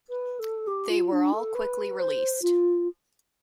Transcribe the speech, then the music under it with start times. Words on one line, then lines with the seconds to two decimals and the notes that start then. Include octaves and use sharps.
They were all quickly released.
0.09 B4
0.39 A4
0.67 G4
0.89 F4
1.12 D4
1.32 A4
1.54 B4
1.98 C5
2.42 F4